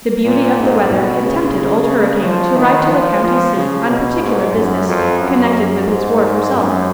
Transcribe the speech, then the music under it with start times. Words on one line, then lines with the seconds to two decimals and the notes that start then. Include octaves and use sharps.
The beauty of the weather had tempted Old Hurricane to ride to the county seat on particular business connected with his ward herself.
0.25 A#2
0.59 G#2
0.91 B2
1.24 C#3
2.24 F3
2.56 D#3
2.89 F3
3.23 F3
3.55 C#3
3.88 B2
4.22 G#2
4.56 F#2
4.88 F2
5.21 F#2
5.87 G#2
6.54 F#2